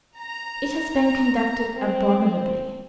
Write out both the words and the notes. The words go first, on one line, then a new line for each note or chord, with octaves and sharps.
It has been conducted abominably.
A#5
C4